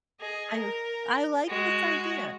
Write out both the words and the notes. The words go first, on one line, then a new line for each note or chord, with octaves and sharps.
I I like this idea.
G#4 D#5
A#4
G#3 F#4